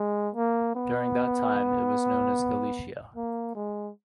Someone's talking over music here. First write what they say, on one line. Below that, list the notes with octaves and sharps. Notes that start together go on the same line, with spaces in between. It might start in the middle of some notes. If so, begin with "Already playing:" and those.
During that time it was known as Galicia.
Already playing: G#3
A#3
B3
A#3
G#3